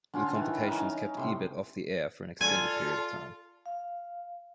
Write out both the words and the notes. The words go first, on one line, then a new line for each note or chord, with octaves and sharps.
The complications kept Ebert off the air for an extended period of time.
D3 C#4 F4
D#3 E3
C#4 D#4 F5
A2 C3 C6
F4 A4 D5 G#5
F5